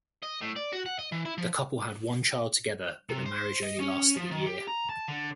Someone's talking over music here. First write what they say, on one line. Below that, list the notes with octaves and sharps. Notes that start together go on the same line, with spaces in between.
The couple had one child together, but the marriage only lasted a year.
D#5
A2
D5
F#4
F#5
D#5
E3
E4
F3
C3
C5
D#5
C#4
F3
D#3
G4
A#5
A5
D3